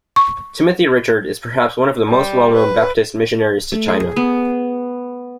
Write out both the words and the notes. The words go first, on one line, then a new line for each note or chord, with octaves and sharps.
Timothy Richard is perhaps one of the most well-known Baptist missionaries to China.
C#6
G3
B4
A3
G#4
B3